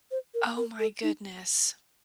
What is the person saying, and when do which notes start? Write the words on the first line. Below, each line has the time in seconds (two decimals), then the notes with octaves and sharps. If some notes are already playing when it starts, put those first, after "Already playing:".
Oh my goodness.
0.11 C5
0.34 A#4
0.57 A#4
0.79 A4
1.03 D#4